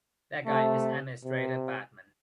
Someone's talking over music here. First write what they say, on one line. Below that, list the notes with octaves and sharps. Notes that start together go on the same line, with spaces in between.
Their guide is administrator Badman.
C3 A3
C3